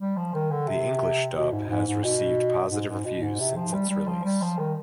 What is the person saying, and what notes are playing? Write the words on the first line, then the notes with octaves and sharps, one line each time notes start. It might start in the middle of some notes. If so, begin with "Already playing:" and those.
The English dub has received positive reviews since its release.
G3
F3
D#3
D3
C3
B2
G#2
G#2
G#2
B2
G#2
G#2
B2
G#2
C3
F3
G3
G3
F3
G3
F3
D#3